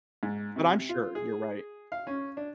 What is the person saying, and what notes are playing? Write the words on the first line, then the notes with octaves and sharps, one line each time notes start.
but I'm sure you're right.
G#2
C3
F4
G#4
F5
C#4
D4